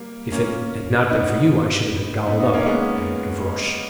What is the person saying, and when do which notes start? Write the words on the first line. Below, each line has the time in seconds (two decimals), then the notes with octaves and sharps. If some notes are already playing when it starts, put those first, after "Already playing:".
"If it had not been for you, I should have been gobbled up!" added Gavroche.
Already playing: G3 A#3
0.32 A#3 C#4
1.10 B3 D#4
2.27 B3 D#4
2.40 B3 D#4
2.53 A#3 C#4
2.66 G#3 B3